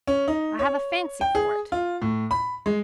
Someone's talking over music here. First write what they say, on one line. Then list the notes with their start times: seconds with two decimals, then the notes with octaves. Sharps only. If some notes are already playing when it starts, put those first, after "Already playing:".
I have a fancy for it.
0.07 C#4
0.28 D#4
0.59 C#5
1.21 G5
1.35 G#4
1.72 F4
2.02 A2
2.31 B5
2.66 G#3